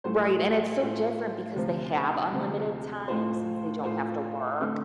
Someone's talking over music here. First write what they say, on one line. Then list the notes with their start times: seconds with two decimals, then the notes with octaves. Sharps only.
Right, and it's so different because they have unlimited time since they don't have to work,
0.04 A2 A3 F4 C5
0.80 A2 A3 F4 C5
1.56 D2 C3 F3
2.32 D2 C3 F3
3.08 A2 A3 F4 C5
3.83 A2 A3 F4 C5
4.59 D3 A3 C4